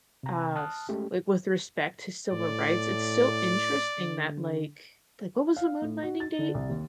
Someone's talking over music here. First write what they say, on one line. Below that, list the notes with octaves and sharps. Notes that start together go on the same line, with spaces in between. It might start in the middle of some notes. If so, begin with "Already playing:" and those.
uh, c like, with respect to civil rights, it's so interesting that, like, like what was the moon landing date?
C3 A#5
A5 D#6 F6 F#6
G#3 A3 C#4 G4
A2 D5
D3
F5
A2
F#4
A6
D3
C2
D#2